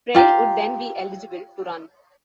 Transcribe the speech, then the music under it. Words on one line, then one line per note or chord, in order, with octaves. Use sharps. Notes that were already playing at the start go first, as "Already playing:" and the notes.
Frei would then be eligible to run.
F4 G4 A#5